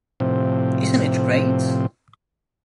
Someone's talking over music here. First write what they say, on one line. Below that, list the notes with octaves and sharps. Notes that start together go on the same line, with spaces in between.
Isn't it great?
A2 C3 F3 C4